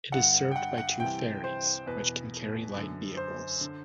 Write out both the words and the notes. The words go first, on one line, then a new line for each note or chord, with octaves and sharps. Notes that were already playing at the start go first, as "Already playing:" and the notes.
It is served by two ferries, which can carry light vehicles.
G2 D3 F#5
G5
F#5
F#5
C2 C3 E3 G5
C5
E2 B2 B4
F#2 D3
C5
D3